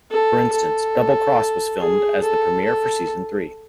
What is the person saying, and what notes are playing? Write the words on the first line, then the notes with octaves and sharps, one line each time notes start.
For instance, "Double Cross" was filmed as the premiere for Season Three.
A4
A4
G#4
A4
A4